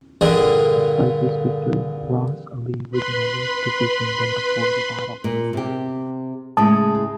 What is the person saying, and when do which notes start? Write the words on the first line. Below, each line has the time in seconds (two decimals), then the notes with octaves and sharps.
Despite this victory, "Ras" Ali was in a worse position than before the battle.
0.21 G2 A#2 D3 G#4
2.91 B4 B5 C6
5.24 A#2
5.53 C3 G4
6.57 A2 C#3 G#3 A5 D#6